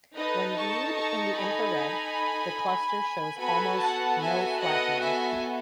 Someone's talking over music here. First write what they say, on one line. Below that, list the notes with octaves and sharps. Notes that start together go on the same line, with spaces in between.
When viewed in the infrared, the cluster shows almost no flattening.
D#4 A4 B4 D#5
A5 C#6
A5 C#6
G#5 B5
B3 F#4 A4 G#5 B5
F#5 A5
E5 G#5
D#5 F#5
E5 G#5